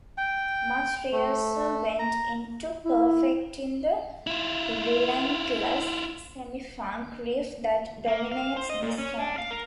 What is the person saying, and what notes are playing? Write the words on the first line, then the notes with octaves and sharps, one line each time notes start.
Much rehearsal went into perfecting the relentless semi-funk riff that dominates this song.
G5
A3
A#5
E4
E4 F4
A#3
F5
C5
D#5
A#2
C#4
D4
F5
A#4